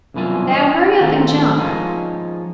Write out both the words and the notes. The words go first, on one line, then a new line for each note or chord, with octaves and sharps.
Now, hurry up and jump.
C2 F#2 B2 E3 F4 G#5
D#5
A2 D#3 C4 A4 C5 A#5
F3 G#3 A#3 C#4 D#4 F4